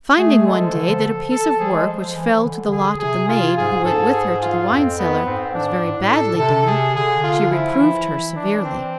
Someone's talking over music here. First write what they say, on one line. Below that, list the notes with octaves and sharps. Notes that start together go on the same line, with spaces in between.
Finding one day that a piece of work which fell to the lot of the maid who went with her to the wine-cellar was very badly done, she reproved her severely.
A3 G#4
G#3 A4
F3
D3
F3
A4
F3 G#4
G#3
F3
E3
D3
G#4
C3 G#4
F4
G#2 G#4
G#2 A4
G#4
F4
F2 C4
B3
G#2 C4
D4
A2
A4
D3
C3 A4
G#4
D3 G#4
F4
F3 E4
E3
E3 D4
C4